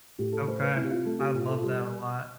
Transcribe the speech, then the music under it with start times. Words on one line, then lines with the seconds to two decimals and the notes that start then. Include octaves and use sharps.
Okay. I love that a lot.
0.19 A2 G4
0.32 A4
0.47 A3 C5
0.62 B4
0.76 C3 E4
0.84 G4
0.91 F4
1.05 A3 A4
1.19 G4
1.34 A2 F4
1.48 A4
1.58 F4
1.62 G3 G4